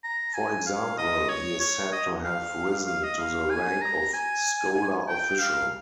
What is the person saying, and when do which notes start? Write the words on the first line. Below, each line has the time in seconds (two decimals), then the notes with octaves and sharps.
For example, he is said to have risen to the rank of scholar-official.
0.04 A#5
0.34 G#5
0.66 F5
0.98 D#5
1.29 C#5
1.60 C#5
1.92 D#5
2.24 F5
2.87 F5
3.03 D#5
3.18 F5
3.50 G#5
3.81 A#5
4.13 G#5
5.08 G5
5.39 F5